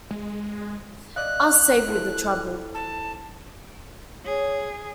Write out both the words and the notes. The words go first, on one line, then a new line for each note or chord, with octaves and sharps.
I'll save you the trouble.
G#3
D5 D#5 F5 F#6
E4 A4 C5
A5
G#4 C#5